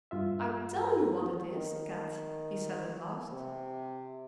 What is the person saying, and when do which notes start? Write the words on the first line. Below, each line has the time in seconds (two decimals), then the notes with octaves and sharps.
"I tell you what it is, Kat," he said at last.
0.11 G2 F4 E5
1.49 D#3
3.32 C3